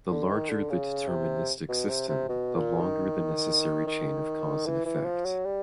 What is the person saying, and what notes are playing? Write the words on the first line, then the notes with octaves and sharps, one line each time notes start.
The larger the deterministic system, the longer the necessary chain of cause and effect.
D3
D#3
D3
C#3
C3
B2
C3
C3
B2
A#2
D#3
D#3
E3
E3
F3
F#3
G3